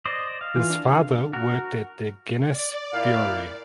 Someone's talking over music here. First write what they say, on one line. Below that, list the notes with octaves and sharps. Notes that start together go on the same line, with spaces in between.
His father worked at the Guinness Brewery.
C5 D5 D#5
F5
E3 F4
D4
F#4 A#4
D5
A#2 E4 F5